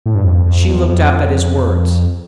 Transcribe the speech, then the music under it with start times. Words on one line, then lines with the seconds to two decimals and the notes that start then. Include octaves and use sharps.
She looked up at his words.
0.06 A2
0.15 G2
0.24 F2
0.46 F2
0.68 E2
0.88 F2